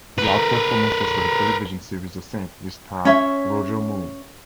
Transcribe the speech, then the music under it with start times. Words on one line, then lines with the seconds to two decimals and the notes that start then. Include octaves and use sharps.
His last performance was for the television series "The Saint" which starred Roger Moore.
0.19 A#4 B4
3.05 C#4 C#5 E5